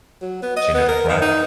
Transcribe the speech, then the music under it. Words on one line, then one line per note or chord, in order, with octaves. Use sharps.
She never cried.
F#3
B3
D#5
B3
A#4
D#3
D#4